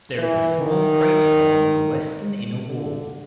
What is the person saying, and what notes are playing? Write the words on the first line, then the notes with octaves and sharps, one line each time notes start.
There is a small crater along the western inner wall.
E3
D#3
D3